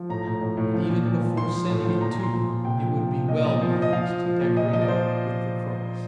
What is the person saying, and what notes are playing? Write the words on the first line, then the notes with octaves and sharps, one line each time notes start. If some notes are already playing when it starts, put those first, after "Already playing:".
And even before sending it to them it would be well, methinks, to decorate it with the Cross.
Already playing: F3
A2 A#5
A2
A2
A2
F3
A#2
F3
F3
F3 C6
F3
A2
F3 C6
A#2 A#5
A#2
C6
F3
A#2
C3 G5
F3
F3
C3
A#2 D#5
D5
F3 D#5
F3
F3
D#5
F3 F5
F3
F3
A#2
A#2 D#5
F3 D#5
D5
F3 C5